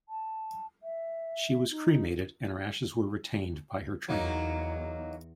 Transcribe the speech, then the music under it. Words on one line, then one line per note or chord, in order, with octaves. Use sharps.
She was cremated and her ashes were retained by her trainer.
A5
E5
D#4
E2 F#3 A#3 D#4